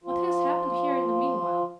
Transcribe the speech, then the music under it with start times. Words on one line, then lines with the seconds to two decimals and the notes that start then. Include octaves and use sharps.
"What has happened here in the meanwhile?"
0.04 F3 F4